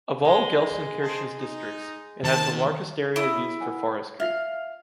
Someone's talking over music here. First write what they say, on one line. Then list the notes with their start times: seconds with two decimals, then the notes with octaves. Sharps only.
Of all Gelsenkirchen's districts, it has the largest area used for forestry.
0.25 G#3
1.02 G#4 C5 A5
1.38 D#4
2.24 D#2 D#3 A5
3.16 E4 D#6
3.60 B4 F#5 G#5
4.20 F4 E5 F5